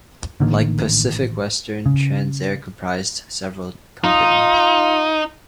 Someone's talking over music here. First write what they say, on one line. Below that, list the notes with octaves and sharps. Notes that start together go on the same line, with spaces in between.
Like Pacific Western, Transair comprised several companies.
A1 D3 D#3 A#3
C#3
D#4 F4